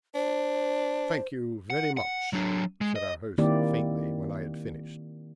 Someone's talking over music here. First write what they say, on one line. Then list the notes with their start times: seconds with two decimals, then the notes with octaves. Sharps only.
"Thank you very much," said our host faintly when I had finished.
0.15 D4 C5
1.70 F#5
1.97 F#5
2.33 F#3 D4
2.81 G#3
2.96 D#5
3.38 D#3 A#3 C4 E4 G4 D5